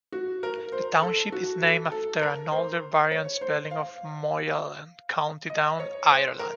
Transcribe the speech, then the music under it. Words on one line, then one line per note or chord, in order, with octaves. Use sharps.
The township is named after an older variant spelling of Moyallen, County Down, Ireland.
F#4
A#4
C5
A4
F#4
A4
A4
A#4
C5
C#5
C5
F5
D#5
C#5
C5
A#4